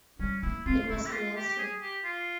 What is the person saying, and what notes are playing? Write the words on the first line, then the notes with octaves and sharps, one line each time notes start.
It was a lesson.
G3 C#4
A#3 E4
C4 F4
C#4 E4
G4
F4
G4
G4
G#4
G4
F4